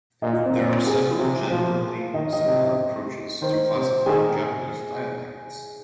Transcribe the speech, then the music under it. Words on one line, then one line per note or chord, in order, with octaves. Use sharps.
There are several generally similar approaches to classifying Japanese dialects.
A#2 D#5
F4
C4
A#2
G#4
C3
F3
D#3 D#5
D#5
C3
D#3 C5
C3 C5
D#3 G#4